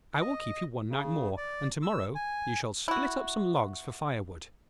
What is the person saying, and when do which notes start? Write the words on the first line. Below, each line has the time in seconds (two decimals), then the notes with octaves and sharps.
I will keep you one night more, and to-morrow you shall split up some logs for firewood.'
0.21 D#5
0.90 C#3
1.38 D5
1.83 E6
2.15 G#5
2.88 E4 F#4